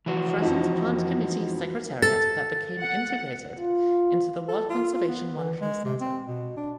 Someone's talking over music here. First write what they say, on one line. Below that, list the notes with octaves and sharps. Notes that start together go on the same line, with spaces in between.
Threatened Plant Committee Secretariat that became integrated into the World Conservation Monitoring Centre.
E3 F3 F#4
F2 D#4
A4 A6
F#5
F4
A4
F4
F4
B3
E3
G#3
C3
C4
B2
D4